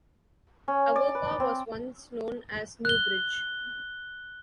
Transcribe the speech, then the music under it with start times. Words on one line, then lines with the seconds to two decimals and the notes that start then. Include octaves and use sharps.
Avoca was once known as Newbridge.
0.68 C#4
0.96 D5
1.15 B4
1.40 C4
2.85 F#6 G7